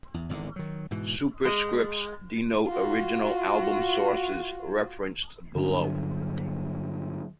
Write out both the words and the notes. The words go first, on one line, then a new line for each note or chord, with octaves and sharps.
Superscripts denote original album sources, referenced below.
E2
G#1 E2 G#2 D3
D#3 F#3
G#2 B2 E3
G#3
F4 F#4
G2 D3 F#3 D4